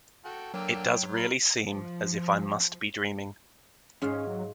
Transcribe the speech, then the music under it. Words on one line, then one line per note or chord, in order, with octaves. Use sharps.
It does really seem as if I must be dreaming.
F#4 A4 G5
D3 F#3 A#3 G5 E6
A#4 B5
F3
G#2 C#4 F4
F#3